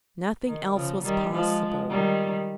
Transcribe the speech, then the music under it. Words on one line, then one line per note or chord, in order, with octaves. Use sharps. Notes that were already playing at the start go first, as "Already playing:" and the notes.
Nothing else was possible.
D#3
C#3 F3
D#3 G3
F3 G#3
D#3 G3